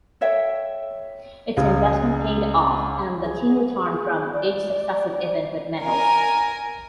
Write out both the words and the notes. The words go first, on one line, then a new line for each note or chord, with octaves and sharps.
Its investment paid off and the team returned from each successive event with medals.
A4 C#5 E5 G5
C#2 G#4 F5
G#4
G#4
D5
A#4 G#5